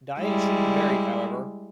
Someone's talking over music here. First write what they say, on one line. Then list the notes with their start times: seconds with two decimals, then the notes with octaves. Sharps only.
Diet should be varied however.
0.20 G3 G#3 E4